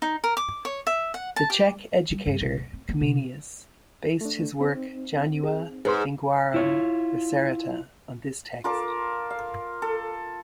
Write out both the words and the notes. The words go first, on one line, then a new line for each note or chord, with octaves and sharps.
The Czech educator Comenius based his work "Janua linguarum reserata" on this text.
D#4
A#4
D6
C#5
E5
F#5
A5
G4
G3
G2
B1
F#2
C4
B3
C3
A3 D4
C4 D#4
G#4
G#2 G#4 B4 C6
E4 F4 C#5
F4 A#4 A5 D6
F5
A4